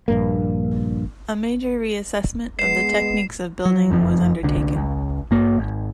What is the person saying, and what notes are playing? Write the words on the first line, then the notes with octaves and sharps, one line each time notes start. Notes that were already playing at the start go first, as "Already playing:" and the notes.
A major re-assessment of the techniques of building was undertaken.
A#1 G2 A#3
G#3 B3 C7 E7
F#3
F#1 F2 C3 F3
C2 D3
C#2
G2 A#3
G#1